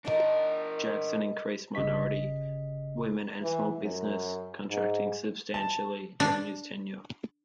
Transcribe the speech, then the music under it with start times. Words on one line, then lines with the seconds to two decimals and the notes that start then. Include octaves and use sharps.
Jackson increased minority, women and small business contracting substantially during his tenure.
0.05 D4 D#4 A#4 A5
1.75 G1 C#3 C#4 G4 D#5 B6
3.42 E3
3.82 F#2
4.70 G#2
5.54 A5
6.20 D4